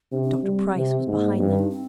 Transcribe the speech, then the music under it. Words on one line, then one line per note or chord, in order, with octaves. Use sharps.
Dr. Price was behind them.
C3 D4
D4
C4
G3
C3
G#2 A#3
G2 C4
D4
D#4
C4